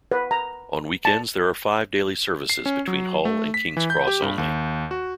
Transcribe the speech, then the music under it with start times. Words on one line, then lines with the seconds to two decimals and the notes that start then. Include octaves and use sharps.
On weekends there are five daily services between Hull and King's Cross only.
0.11 B4
0.31 A#5
1.05 A5
2.50 C7
2.66 C#4
2.88 F#3
3.25 A3
3.54 B6
3.77 E3
3.90 G6
4.07 G4
4.22 G2
4.38 D#2
4.91 F#4